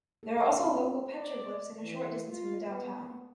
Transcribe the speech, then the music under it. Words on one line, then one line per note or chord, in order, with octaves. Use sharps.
There are also local petroglyphs a short distance from the downtown.
A4
A4
D4
C4
F4
D5
E3
F4
B3